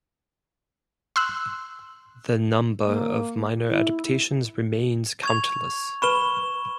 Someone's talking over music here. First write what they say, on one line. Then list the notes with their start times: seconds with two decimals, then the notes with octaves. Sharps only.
The number of minor adaptations remains countless.
1.16 C6 E6 F#6
2.86 A#3
3.67 E4
5.23 C#6 G#6 F7
6.02 B4 A5 B5 C#6 E7 G7